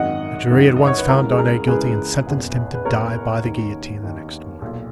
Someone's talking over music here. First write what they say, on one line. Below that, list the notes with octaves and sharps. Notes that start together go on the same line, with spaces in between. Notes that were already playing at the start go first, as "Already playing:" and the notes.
The jury at once found Darnay guilty and sentenced him to die by the guillotine the next morning.
Already playing: G#1 F#2 D#3 D#5 F#5
G#1 F#2 D#3
D#5
C#5
B4
C#2 C#3 E3 A#4
G#4
A#4
C#2 C#3 E3 G#4 B4
F#1 E2 B2
B4
F#1 E2 B2 A#4 C#5
D#2 D#3
D#2 D#3
B1 A#2